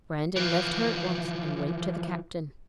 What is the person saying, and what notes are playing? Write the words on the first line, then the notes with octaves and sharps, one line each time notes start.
Brandon left her at once and went to the captain.
E3 F3